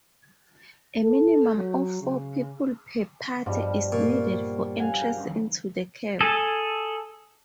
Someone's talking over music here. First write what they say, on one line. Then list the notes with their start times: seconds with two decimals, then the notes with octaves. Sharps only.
A minimum of four people per party is needed for entrance into the cave.
1.03 A4
1.57 F#3
2.02 C#3
3.46 G2 B2 F3 G3
3.92 A#2 C#6 F6
4.80 F5 F#5 G#5
4.99 A#4 G6
6.21 G#4 A4